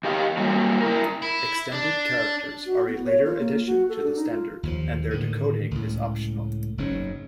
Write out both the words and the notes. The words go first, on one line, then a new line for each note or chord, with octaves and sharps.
Extended characters are a later addition to the standard and their decoding is optional.
E2 G4 D#5 F5
F#3 G3 A#3
E4 A#4
E4
D4
F#4
B3
C#5
F4
A#3
F#4
A4
D4
D#4
F4
D#2 F3
A2 D3 D#3
C#2 A2
F#1 G#2 F#3 C#4